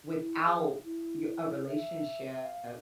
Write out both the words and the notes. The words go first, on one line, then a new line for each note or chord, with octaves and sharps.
without y a relationship
E4
G#4
E4
E5
F5